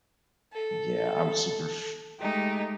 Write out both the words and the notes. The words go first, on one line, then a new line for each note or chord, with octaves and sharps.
yeah, I'm super f
A4
G#3 A3 D#4 G4